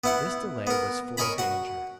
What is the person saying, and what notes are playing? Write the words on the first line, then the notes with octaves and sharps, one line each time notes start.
This delay was full of danger.
B3 E4 F#5
B3 A#4
A#4 C#5 D#5 G#5 A#5 B5
F#4 F#5